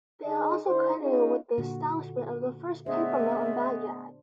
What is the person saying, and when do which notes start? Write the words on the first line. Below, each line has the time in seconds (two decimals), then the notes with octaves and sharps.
They are also credited with the establishment of the first paper mill in Baghdad.
0.24 D3 D#4 G#4 D#5
0.66 D3 E4 C5
0.99 C#4 D#4 F4 G#4
1.58 A#2 D3 F#4
2.86 G#3 A3 B3 D4 C5 E5